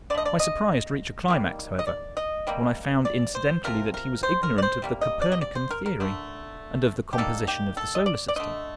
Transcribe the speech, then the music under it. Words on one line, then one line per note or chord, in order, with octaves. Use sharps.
My surprise reached a climax, however, when I found incidentally that he was ignorant of the Copernican Theory and of the composition of the Solar System.
D3 A3 D5 D#5
D5
D#5
D#3 G3 A#3
D#5
D5
D#5
C3 G3 A#3
D5
C5
C3 F3 A3 A#4
A#4
C5
A#4
D5
C5
C3 G3 A#3
D#5
D5
D#5
D5
C5
A#4
A#4
D3 A3
G4
D#3 G3 A#3 A4
G4
A4
D#5
D5
D5
D3 A3 D#5